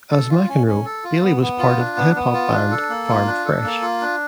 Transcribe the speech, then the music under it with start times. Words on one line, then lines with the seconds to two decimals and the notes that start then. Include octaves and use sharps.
As Mcenroe, Bailey was part of the hip hop band Farm Fresh.
0.10 A4
0.30 F4
0.49 C#4
0.67 C#4
0.85 A4
1.04 F4
1.22 B3
1.41 B3
1.59 F4
1.78 D4
1.97 B3
2.16 B3
2.34 F4
2.52 D4
2.71 A4
2.90 A#3
3.09 F4
3.27 D4
3.45 A4
3.64 A#3
3.82 F4
4.01 D4